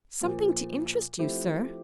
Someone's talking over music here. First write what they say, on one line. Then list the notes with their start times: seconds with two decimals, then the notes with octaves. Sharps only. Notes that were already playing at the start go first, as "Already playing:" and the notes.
"Something to interest you, sir."
0.21 A#2 F3 A#3
1.19 F3 A3 C4 E4 G4